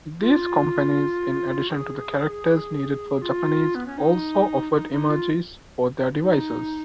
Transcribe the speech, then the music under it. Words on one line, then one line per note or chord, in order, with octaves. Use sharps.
These companies, in addition to the characters needed for Japanese, also offered emojis for their devices.
F4
F#4
G#4
F4
B3
C#4
D#4
D#4
D#4
F4
D#4